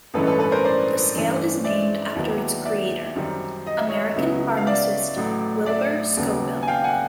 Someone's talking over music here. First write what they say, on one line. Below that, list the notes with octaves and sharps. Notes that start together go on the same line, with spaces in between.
The scale is named after its creator, American pharmacist Wilbur Scoville.
A1 G2 E3 G#3 C#4 A4 B4
A4 B4
A4 B4
A#4 C5
C5 D5
G2 E3 A3 C#4
D5 E5
D#2 D#3 F#3 B3 E4
D5 E5
F#2 D#3 G3 C4
D#5
E5
C#5 D#5
C#2 C#3 F#3 B3 E4
F5
D5 E5
A1 A2 F#3
D5 E5
D#2 C#3 F#3 B3
G#5
F5 G5
F#5 G#5